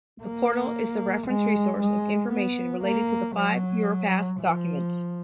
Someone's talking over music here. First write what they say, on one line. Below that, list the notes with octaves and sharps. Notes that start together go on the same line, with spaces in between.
The portal is the reference resource of information related to the five Europass documents.
A#3
G#3
G#3
B3
A#3
F#3
F3